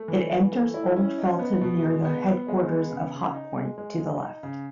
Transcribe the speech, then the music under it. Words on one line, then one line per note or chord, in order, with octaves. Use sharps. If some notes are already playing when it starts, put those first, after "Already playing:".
It enters Old Fletton near the headquarters of Hotpoint to the left.
Already playing: A3
E3
E3
A3
E4
C#4
D#4
B3
B2
G#3
B3
B3
G#3
B3
C#3
C#3
D#4
G#3
G#3
G#3
D#4
C#3